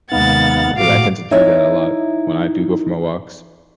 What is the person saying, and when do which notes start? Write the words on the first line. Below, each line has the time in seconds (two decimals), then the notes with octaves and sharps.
'cause I tend to do that a lot when I do go for my walks.
0.12 D#2 C3 G#3 B3 D#4 F5 F#5 A6
0.77 G#1 A2 F#4 F5 D6
1.31 D#4 E4 C#5 D#5 E5